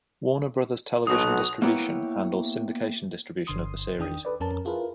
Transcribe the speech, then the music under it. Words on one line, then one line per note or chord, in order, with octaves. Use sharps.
Warner Brothers Television Distribution handles syndication distribution of the series.
B1 F#4 D#6
A#3 B3 E4 G4 C#5
G1 D3 C6 D#6
E2 D#3 D4 G5 D#6
A4 B4 D5
F2 C#4 A#4 A5
E4 F4 G#4 A#4 B4